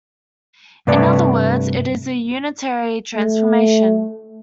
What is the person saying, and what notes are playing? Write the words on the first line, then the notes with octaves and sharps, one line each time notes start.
In other words, it is a unitary transformation.
G2 C3 A3 B4 D5
A3